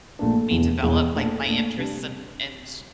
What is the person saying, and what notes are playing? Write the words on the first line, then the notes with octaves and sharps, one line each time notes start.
me develop like my interests and and
A#1 A#2 A3 D4
E1 E2 E3
E1 E2 E3
A#2 A3 D4
A#2 A3 D4
C3 G3 D4